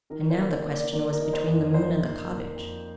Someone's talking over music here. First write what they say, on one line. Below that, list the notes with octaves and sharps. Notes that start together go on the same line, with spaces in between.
And now the question was between the moon and the cottage.
D#3 A#4
C5
A#3
C5
A#3
D5
A#3 D5
A#4
D#4
C5
F2
D#4 C5
A#3
A#3
F2